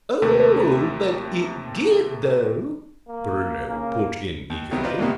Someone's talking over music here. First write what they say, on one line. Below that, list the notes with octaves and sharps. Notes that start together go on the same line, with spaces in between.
"Oh, but it did though!" Bruno put in eagerly.
D#2 C3 A3
A#3
C#3 A#3
D#2
C3 D#3 F#3 G3 B3 C4
D#4 F4 B4 C5 D5 D#5
D2 G#2 C3 D#3 A#3 B3